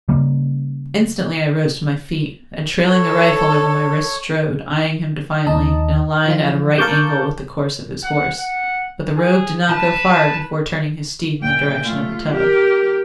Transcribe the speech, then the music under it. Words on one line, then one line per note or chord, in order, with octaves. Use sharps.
Instantly I rose to my feet, and trailing the rifle over my wrist strode, eyeing him defiantly, in a line at a right angle with the course of his horse, but the rogue did not go far before turning his steed in the direction of the tub.
C#3 G3 A#3
A4 C#5
D#2 D#4 D#5 A5
E3 F3 F4
A#4 F5 A5 C#6 D6 G6
F#5
F#5
G#4
B4 A5
A#2 G5
A3 F4
G4 A#4